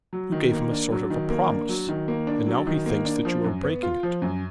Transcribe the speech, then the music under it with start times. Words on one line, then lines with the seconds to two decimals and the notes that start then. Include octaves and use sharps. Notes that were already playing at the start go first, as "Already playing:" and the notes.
You gave him a sort of a promise, and now he thinks that you are breaking it.'
0.13 F#3
0.32 D#3
0.52 A#3
0.71 D4
0.91 F#3
1.10 D#3
1.30 A#3
1.49 D4
1.69 F#3
1.88 D#3
2.08 A#3
2.27 D4
2.47 F#3
2.67 D#3
2.86 A#3
3.05 D4
3.25 F3
3.44 F#2
3.63 B3
3.83 F4
4.03 F3
4.22 F#2